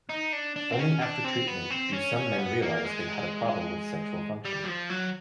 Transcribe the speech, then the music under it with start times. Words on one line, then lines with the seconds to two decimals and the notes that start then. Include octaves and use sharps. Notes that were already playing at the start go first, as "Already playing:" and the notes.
Only after treatment do some men realize they had a problem with sexual function.
0.09 D#4
0.33 D4
0.56 D4
0.72 C4
0.79 C#4
1.01 D4
1.24 C4
1.47 B3
1.70 C4
1.93 C#4
2.16 C#4
2.38 B3
2.62 A#3
2.85 G#3
4.45 G3
4.64 F#3
4.68 F3
4.90 F#3